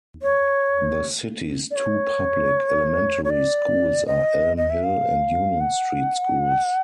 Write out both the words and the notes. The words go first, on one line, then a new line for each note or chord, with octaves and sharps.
The city's two public elementary schools are Elm Hill and Union Street Schools.
C#5
D5
C#5
C#5
D5
D#5
D#5
E5
F5
F#5